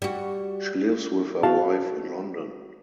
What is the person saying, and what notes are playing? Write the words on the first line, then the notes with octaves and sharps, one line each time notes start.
She lives with her wife in London.
G3 F#4
F#4 F5 A5